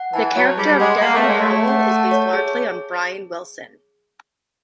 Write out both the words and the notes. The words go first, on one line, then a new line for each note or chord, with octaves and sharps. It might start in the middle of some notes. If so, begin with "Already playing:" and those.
The character of Desmond Howl is based largely on Brian Wilson.
Already playing: F#5
E3 A5
F#3 C#5
G3 G#4
G#3 F#5
A#3 A5
A3
G#3 C#5
A3
G#4
F#5
A5
C#5
G#4